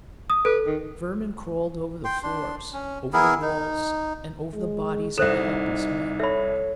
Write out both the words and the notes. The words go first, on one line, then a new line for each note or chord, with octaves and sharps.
Vermin crawled over the floors, over the walls and over the bodies of the helpless men.
D#6
A4 B4
D#3
G5 C6
D4 C6
C#4
B3 E4 G#4 A#4
D#4
G#3
C2 D#4 A4 C5 E5 E7
A4 C#5 E5 B5